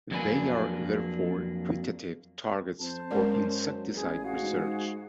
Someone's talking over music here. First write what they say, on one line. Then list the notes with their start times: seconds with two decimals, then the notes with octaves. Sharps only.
They are therefore putative targets for insecticide research.
0.11 F2 F#3 A#3 D4 B4 G#5
2.79 F2 C5 A5
3.11 F#2 G#3 A#4 D5
3.93 A1 G#4
4.23 F#4 G#4 F5
4.42 G#2